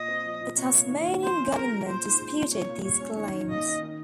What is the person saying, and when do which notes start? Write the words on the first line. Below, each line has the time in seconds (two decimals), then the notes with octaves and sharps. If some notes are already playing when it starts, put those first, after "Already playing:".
The Tasmanian government disputed these claims.
Already playing: A#2 D#5
0.08 C4
0.25 F3
0.41 A#2
0.57 C3 C#5
0.73 A#3
0.90 D#3
1.06 F4
1.22 F3 C5
1.38 C#4
1.55 G#3 A#4
1.71 F3
1.87 A#2 C5
2.03 D#4
2.19 G#3
2.36 A#2
2.52 C3 C#5
2.69 A#3
2.84 G3 C#5
3.00 C#4
3.17 D#3 C#5
3.33 D#4
3.49 A#3 D#5
3.66 D#3
3.82 D#3